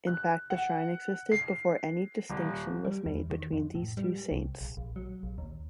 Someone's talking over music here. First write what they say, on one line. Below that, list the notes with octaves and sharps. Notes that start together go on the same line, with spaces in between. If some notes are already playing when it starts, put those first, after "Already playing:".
In fact the shrine existed before any distinction was made between these two saints.
F#6
F#5
C7
D#1
G3
E2
D#3
F2
A2
G3
C2
A#1
A#1
F#3
A#1
D#2